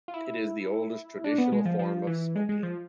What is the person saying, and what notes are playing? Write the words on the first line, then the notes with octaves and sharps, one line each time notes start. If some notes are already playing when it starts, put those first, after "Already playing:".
It is the oldest traditional form of smoking.
F4
E4
D4
B3
G#3
F3
F3
E3
G#3
G#3
F3